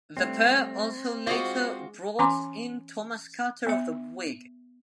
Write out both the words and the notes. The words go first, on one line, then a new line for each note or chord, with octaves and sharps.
The pair also later brought in Thomas Carter of the "Whig".
G3 A3 C4
G#3 F4 F#4 C5 D#5 B5 D6
E3 C#4 G#5 A#5 C6 D6
B3 E5